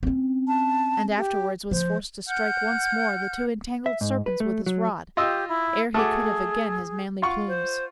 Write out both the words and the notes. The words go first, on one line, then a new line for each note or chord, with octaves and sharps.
And afterwards was forced to strike once more The two entangled serpents with his rod, Ere he could have again his manly plumes.
C4 C#4
A5
G4
F3 C5
F#5 F6 G6
E5
G#2
B4
A3
F#3
F4 G4 D#5 E6
E4
A3 F#4 G#4 D6
F4 F#5 C#6
C5